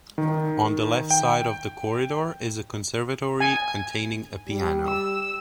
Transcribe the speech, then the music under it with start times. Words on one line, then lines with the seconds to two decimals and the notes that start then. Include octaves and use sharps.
On the left side of the Corridor is a Conservatory containing a piano.
0.18 D#3
1.11 G5
3.40 G#5
4.48 G3
4.87 E6